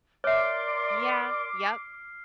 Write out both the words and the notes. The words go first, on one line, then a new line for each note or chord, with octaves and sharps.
Yeah, yep.
A#4 C#5 D5 E5 C6 D6 F6 C7